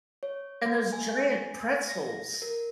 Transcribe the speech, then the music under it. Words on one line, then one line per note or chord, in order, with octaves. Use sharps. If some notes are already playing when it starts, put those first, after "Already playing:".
And those giant pretzels.
C#5
A#3
G#5
A#6
A#4